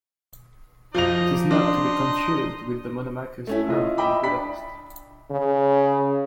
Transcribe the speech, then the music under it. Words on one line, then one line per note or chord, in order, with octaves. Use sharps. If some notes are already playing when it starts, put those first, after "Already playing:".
It is not to be confused with the Monomachus Crown in Budapest.
F3 D#4 D5 D#5 F7
D4 D#4 D#5 C6
A3 C#4 E4
E4 F4 D#5
D#5 E5 G5 B5 D6
D4 B5 B6
C#3